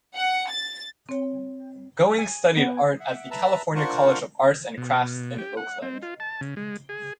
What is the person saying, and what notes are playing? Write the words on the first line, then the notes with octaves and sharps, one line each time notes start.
Goings studied art at the California College of Arts and Crafts in Oakland.
F#5
A6
C4 C#5
G#5
B3
E5 F#5
B4 E5 A5 A#5 E6
D4 F4 A#4 C5 F#5 C#6
B2
G4
F#5
C4
F4
A5
C#3
G#3
G#4